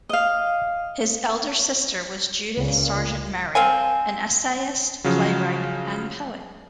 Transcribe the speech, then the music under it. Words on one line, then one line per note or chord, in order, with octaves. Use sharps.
His elder sister was Judith Sargent Murray, an essayist, playwright, and poet.
D#5 F5
C#2 A#2 C#3
C4 F5 G#5
C#3 F3 F#3